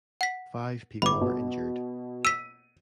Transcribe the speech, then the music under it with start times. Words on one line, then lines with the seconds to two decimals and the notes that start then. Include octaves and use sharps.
Five people were injured.
0.21 F#5 B6
1.02 G1 B5 D6
1.21 B2
2.25 E6 B6 D#7